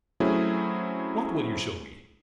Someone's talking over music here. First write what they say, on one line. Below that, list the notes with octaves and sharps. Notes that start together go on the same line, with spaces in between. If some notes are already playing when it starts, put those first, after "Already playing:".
What will you show me?'
F#3 A3 C4 C#4 E4 G#4